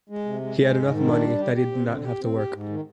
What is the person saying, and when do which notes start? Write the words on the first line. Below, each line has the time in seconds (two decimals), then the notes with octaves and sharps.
He had enough money that he did not have to work.
0.10 G#3
0.25 C3
0.41 G#3
0.57 G#3
0.74 G#2
0.90 D#3
1.06 D4
1.23 G3
1.38 G4
1.55 G4
1.72 C4
1.87 D3
2.04 G4
2.21 C4
2.36 G4
2.52 G#2
2.69 D#3